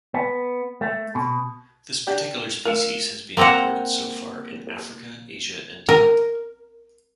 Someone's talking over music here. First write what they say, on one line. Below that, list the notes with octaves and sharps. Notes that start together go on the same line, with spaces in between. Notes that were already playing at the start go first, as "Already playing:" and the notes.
This particular species has been recorded so far in Africa, Asia and Europe.
B3
A3
B2
D4 G4 D5
A3 F4 A#4
A#3 C4 A#4 C5 F#5
A#4